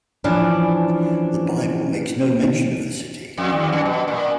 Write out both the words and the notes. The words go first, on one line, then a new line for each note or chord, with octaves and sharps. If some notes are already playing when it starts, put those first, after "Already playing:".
The Bible makes no mention of the city.
E3 F3 C#4 D4
F2
D#2
F#2
B2
A#2